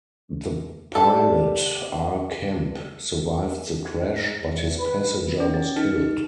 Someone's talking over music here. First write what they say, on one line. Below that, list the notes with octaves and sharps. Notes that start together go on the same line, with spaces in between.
The pilot, R. Kemp, survived the crash, but his passenger was killed.
G4 A4 D5
G#2
E2
B4
C#4
A6
D#4